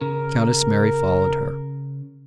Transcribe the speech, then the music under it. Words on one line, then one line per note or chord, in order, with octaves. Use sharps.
Countess Mary followed her.
C#3 A#4